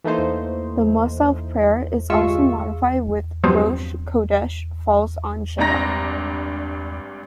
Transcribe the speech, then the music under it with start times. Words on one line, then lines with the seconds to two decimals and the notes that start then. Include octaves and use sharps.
The "Mussaf" prayer is also modified when Rosh Chodesh falls on Shabbat.
0.04 E3 A3 A#3 D#4 C5
2.10 G1 G#3 F4 E5 C#6 E6
3.44 G2 F3 F#3 B3 C4
5.58 G#1 G2 D4 A#5 A#6